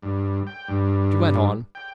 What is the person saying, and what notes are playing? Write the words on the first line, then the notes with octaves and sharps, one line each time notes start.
She went on.
G2
G5
G2
G5